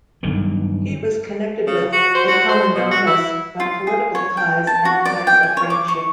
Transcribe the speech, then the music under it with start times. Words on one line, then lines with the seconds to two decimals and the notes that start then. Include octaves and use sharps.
He was connected with Epaminondas by political ties and ties of friendship.
0.23 G2 D3 D#3 F#3
1.67 C#3
1.92 F#4
2.15 C5
2.28 F#4
2.49 C5
2.75 B2
2.91 F#4
3.06 E4
3.60 F4
3.87 G#4
4.15 C#5
4.37 G5
4.67 A5
4.85 F#4
5.05 D5
5.27 G5
5.43 G#5
5.57 C#5
5.70 D6
5.88 C#6